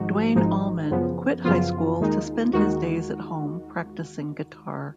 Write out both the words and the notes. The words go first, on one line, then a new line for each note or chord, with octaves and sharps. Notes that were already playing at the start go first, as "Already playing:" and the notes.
Duane Allman quit high school to spend his days at home practicing guitar.
Already playing: G#1 G#2 F3 G#3 D#4 F#4
G#1 G#2 F3 G#3 D#4
F#2 C#3 F3 B3
F#2 C#3 F3 B3 F4
D#2 D#3 G#3 D#4
D#2 D#3 G#3 D#4 F#4